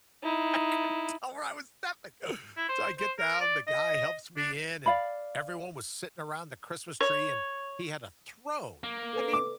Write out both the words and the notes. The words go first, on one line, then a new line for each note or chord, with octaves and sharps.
I couldn't tell where I was stepping, so I get down, the guy helps me in, and everyone was sitting around the Christmas tree, and he had a throne. I mean,
D#4 E4
E4
C5
C5
A#4
D5
D#5
D4
D5 F5 B5
C#5
A#3
A4 B4
D6